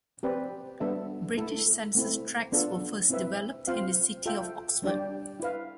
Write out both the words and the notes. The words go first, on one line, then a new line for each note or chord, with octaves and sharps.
British census tracts were first developed in the city of Oxford.
C4 G4 B4 D5
G3 B3 D4 A4 E5
A3 E4 A4
A3 C4 E4
B3 D4 F4 A4
C4 E4 B4 E5
C4 F4 C5 F5
F4 A4 E5 G5
G3 D4 G4 D5 G5
E4 B4 F5